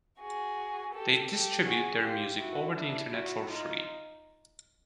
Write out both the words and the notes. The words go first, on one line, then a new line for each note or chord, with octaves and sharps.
They distribute their music over the internet for free.
F#4 G#4
G4 A4
G4 A4
F#4 G#4
F4 G4
E4 F#4
D4 E4
E4 F#4
D#4 F4